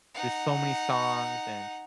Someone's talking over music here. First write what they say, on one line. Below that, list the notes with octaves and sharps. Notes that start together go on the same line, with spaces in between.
there's so many songs, and
D#4 F#5